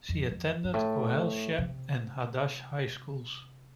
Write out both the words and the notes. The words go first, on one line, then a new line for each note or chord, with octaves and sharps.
She attended Ohel Shem and "Hadash" high schools.
F2
F2
G2
A2
C3